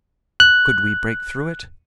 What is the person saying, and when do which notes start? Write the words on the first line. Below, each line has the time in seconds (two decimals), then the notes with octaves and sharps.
Could we break through it?
0.40 F#6